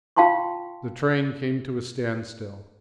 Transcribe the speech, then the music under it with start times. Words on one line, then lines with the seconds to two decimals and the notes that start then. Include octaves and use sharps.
The train came to a standstill.
0.17 F4 F5 G5 A5 C6 C#6